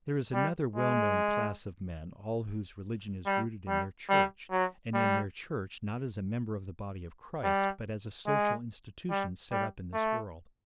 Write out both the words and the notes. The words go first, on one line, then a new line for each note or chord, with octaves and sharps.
There is another well- known class of men all whose religion is rooted in their church, and in their church not as a member of the body of Christ, but as a social institution set up in this world.
G3
G#3
G3
G3
G3
F#3
G3
G3
G#3
G3
G3
A3